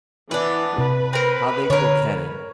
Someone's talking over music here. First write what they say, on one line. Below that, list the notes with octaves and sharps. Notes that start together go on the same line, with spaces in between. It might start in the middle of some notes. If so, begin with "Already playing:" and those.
How they coquetted!
E3 B3 D4
C3 B4
C4 A#4
D3 A#4 C#5